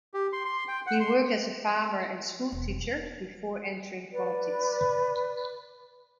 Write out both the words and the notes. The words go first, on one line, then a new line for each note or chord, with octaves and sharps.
He worked as a farmer and school teacher before entering politics.
G4
C6
C6
G5
F#5
C6
E1
B4 D5